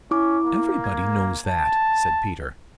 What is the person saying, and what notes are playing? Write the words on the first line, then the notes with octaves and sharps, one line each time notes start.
"Everybody knows that!" said Peter.
C#4 E4 D6
A#3
G#6
A5